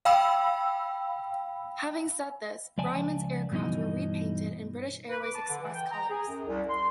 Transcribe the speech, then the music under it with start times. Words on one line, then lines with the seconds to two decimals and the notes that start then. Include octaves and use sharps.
Having said this, Brymon's Aircraft were repainted in British Airways Express colours.
0.05 F5 G5 B5 E6
2.78 C#2 F3 D5 G#5 A5
3.52 G2 B2 E3 D#4 D#5
5.09 B4
5.22 D6
5.34 A5
5.48 D3
5.61 E3
5.74 G5
5.92 A#5
6.10 G#4
6.28 F#2
6.46 C2
6.69 C6